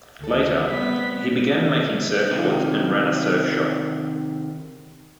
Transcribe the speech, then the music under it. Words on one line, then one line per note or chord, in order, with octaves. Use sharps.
Later, he began making surfboards and ran a surf shop.
D2 D#3 A4
G3 A3 B3 C4 B6
C3 D#3